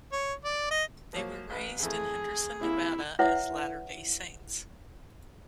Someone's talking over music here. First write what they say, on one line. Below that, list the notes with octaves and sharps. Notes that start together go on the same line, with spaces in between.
They were raised in Henderson, Nevada, as Latter-Day Saints.
C#5
D5
D#5
F3 F#3 A#3
A1 B4
F2 E3 A3 G#4
C3 A#3 E4
E4 B4 C#5 E5 F#5